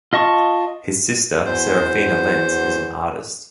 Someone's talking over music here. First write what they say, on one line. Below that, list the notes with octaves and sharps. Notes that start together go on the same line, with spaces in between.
His sister Seraphina Lenz is an artist.
F4 D#5 A5 C#6
E2 F#4 C5